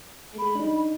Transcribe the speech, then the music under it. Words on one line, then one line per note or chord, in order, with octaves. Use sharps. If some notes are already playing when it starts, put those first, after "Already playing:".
It is.
B5
D4 D#4